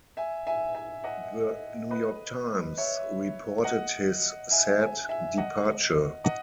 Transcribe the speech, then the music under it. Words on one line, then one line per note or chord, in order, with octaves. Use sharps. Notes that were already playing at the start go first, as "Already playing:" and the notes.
"The New York Times" reported his sad departure.
E5 G#5
E5 G#5
E5 G#5
D#5 F#5
B4 D#5
C#5 E5
D#5 F#5
E5 G#5
E5 G#5
E5 G#5
D#5 F#5
D#5 F#5